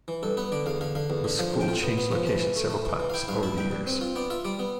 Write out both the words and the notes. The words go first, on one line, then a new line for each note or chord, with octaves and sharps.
The school changed location several times over the years.
E3
G2 A4
B3 B4
D3 D5
E2 F5
D3 F5
D3 F5
E2
D3
F3 F5
A2
G5
F4
B3
B3
F3
E3 A5
E3
A3
A3
E3
E3
F5
E4 G5
G2 F5
E4 A5
G2 G5
G2
C4
F4
B3 D5
F4 E5
G3 D5
B3